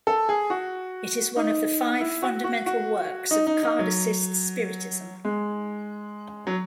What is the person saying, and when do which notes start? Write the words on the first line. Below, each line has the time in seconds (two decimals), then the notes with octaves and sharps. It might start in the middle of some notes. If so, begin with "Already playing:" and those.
It is one of the five fundamental works of Kardecist Spiritism.
0.07 A4
0.29 G#4
0.50 F#4
1.36 D#4
2.01 E4
2.22 F#4
2.44 F#4
2.66 F#4
3.31 D#4
3.47 D#4
3.63 D#4
3.79 F#3
5.25 G#3
6.47 F#3